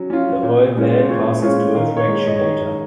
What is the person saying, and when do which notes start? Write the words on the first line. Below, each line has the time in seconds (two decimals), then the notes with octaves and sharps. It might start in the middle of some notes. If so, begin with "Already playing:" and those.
The oil then passes to a fractionator.
Already playing: F#3 C#4
0.10 C#4 F4
0.43 A#2
0.76 G#3 C#4 F4
0.98 C5
1.09 A#2 C#5
1.42 G#3 C#4 F4 C#5
1.75 D#3 F5
1.97 C#5
2.08 G#3 D#4
2.19 C#5
2.27 D#5
2.36 C#5
2.41 D#3